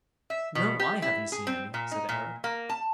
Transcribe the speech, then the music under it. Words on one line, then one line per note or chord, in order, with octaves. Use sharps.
'No, I haven't seen any', said Eric.
E5
B2
G4
E4
G#4
C4
A#2
D#4
A#2
A#3
A5